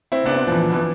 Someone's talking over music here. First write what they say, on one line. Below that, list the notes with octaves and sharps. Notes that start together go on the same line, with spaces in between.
Oh wow.
C4 E4
B3 D4
F3
E3
E3